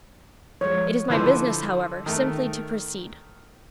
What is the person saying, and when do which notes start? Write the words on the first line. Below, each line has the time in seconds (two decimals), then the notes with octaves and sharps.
It is my business, however, simply to proceed.
0.61 F3 G#3 C#5
1.10 D3 F3 E4 B4 C5
2.06 D#3 A3